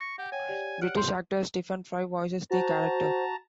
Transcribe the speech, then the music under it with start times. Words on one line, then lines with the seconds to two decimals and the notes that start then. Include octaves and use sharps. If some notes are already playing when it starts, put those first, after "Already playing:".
British actor Stephen Fry voices the character.
0.01 C#6 A#6
0.18 G4 F#5 G5
0.32 C#5 G5 G#5
0.48 G4 D5
0.82 F#5 F6 D7
0.97 G5 C6
2.51 F#4 C5 A5 A#5